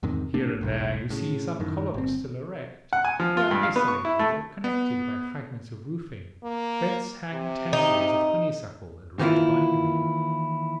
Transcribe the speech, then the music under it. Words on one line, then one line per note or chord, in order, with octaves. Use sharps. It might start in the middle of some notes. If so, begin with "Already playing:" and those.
Here and there you see some columns still erect; they are isolated or connected by fragments of roofing, whence hang tendrils of honeysuckle and red bind-weeds.
E2 G#2 C3 D#3
G#1 A3 A#3 D4
E1 B1 G#2
A2 C#3
F#2 A2 D#3
G1 C4
F#5
G#5
F3
F4
G2
F5
B3
C#6
E4
A3
B3
A#3
C3
D#4
D#3 E3 A#3 C#4 E4 F4